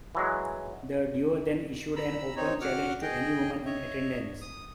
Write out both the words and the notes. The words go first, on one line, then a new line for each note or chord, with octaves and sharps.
The duo then issued an open challenge to any women in attendance.
E3 F#3 G#3
A#5 B5 E6
C4 D#4 C#5
F#4 F#5 D6 F6
G#4 D#5 G5
C#5 D#5 E5
D#6